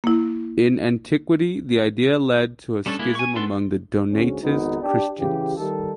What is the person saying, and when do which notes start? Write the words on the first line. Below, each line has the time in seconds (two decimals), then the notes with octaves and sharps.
In antiquity, the idea led to a schism among the Donatist Christians.
0.04 A#3 E4
2.86 G3 A3 C#4 D4 A4
2.99 G#3 A#3 E4
3.15 G#5 C#6
3.35 B3 D4 A4 B4 C6
4.11 D2 G#2 C#4
4.42 G#1 F2 B3 D#4
4.81 D4 G4
5.18 C#3 E3 G4
5.57 D#3 G3 A3 D#4 A4